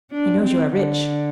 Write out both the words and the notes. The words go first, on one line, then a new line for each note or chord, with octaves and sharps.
"He knows you are rich."
D4
C4
D3